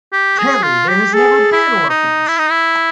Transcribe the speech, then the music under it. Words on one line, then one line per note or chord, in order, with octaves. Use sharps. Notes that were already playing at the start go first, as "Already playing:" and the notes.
Terry, there has never been orphans!
G4
G#4
F4
G4
G#4 A4
E4
D#4
E4
D#4
E4